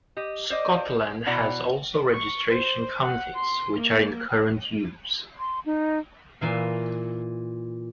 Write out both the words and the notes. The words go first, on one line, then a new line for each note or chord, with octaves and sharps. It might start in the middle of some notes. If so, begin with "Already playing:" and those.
Scotland has also registration counties, which are in current use.
G4 D#5
C5 D5 D#5
B2 E4 D5 F#5 A#5
C#6
C5
F#5
C6
A#3
C6
D#4
A#2 E3 F5